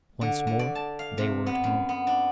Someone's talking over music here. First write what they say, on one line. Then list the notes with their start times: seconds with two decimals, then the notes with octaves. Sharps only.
Once more they were at home.
0.21 D3
0.47 D3
0.59 D5
0.75 A5
0.99 F5
1.18 C3
1.46 B3
1.64 F#2
1.89 B3
2.07 D4